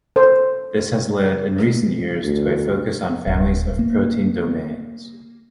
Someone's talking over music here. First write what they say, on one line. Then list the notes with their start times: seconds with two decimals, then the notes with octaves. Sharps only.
This has led, in recent years, to a focus on families of protein domains.
0.16 A4 C5
2.24 D2
3.27 D1
3.79 A#3